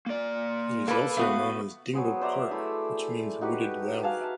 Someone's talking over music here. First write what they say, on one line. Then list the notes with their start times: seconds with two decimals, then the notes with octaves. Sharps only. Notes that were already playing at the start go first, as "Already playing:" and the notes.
It is also known as Dingle Park which means wooded valley.
0.06 A#3 D5
0.88 A#3 A4 B4
1.17 A3 B3 F#4 F5
1.93 F#3 B3 G#4 C5
2.21 C5 D5 E5 A#5
2.50 A3 E4 G#4
3.41 D#4 F#4 G4 B4
4.03 F#4 F5 G#5 A5
4.21 E5 A5